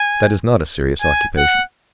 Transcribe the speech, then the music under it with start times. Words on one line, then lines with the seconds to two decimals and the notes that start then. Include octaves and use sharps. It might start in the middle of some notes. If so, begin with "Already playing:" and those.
That is not a serious occupation.
Already playing: G#5
1.01 G#5
1.37 F#5